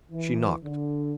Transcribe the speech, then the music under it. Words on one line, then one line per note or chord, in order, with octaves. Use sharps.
She knocked.
E3
D3